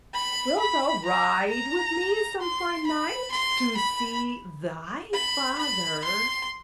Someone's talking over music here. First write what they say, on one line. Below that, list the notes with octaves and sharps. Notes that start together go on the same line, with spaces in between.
Wilt thou ride with me some fine night to see thy father?
B5
B5
A#5
A#5
C6
B5
C6
B5
B5
B5
C6